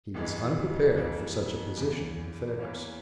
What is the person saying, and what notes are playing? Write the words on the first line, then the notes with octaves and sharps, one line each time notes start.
He was unprepared for such a position of affairs.
G1 F2 E3 G#3
F2 E3 A#3
E2 C#3 E3
E2 E3 A#3 C#4